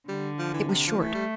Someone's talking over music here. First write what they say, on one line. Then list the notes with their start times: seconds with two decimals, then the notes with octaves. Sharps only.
It was short.
0.08 D3 G3
0.39 F3
0.54 E3
0.69 C3
0.87 F3
0.99 E3 A3
1.14 G3